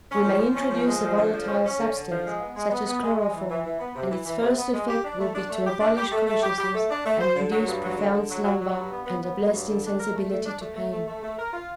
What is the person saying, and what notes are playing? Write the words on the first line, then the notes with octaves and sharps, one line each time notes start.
We may introduce a volatile substance, such as chloroform, and its first effect will be to abolish consciousness and induce profound slumber and a blessed insensibility to pain.
C#4
F3
F3
C#4
F3
G#3
F3
D3
F3
C#4
C#4
D3
D3
F3
G#3
B3
G#3
B3
B3
G#3
G#3
E3
E3
E3
B3
C3
E3
E3
C3
B3
G#3
G4
D4
A3
D4
A3
G4
D4
G4
A3
A3
G4
G4
A3
D4
A3
C5
D3
F#3
G2
F#3
D3
D3
F#3
F#3
F#3
G2
B3
B3
B3
F#3
G2
D3
D4
A#4
A3
A3
D4
A3
A3
A3
A3
A3
A#4
F4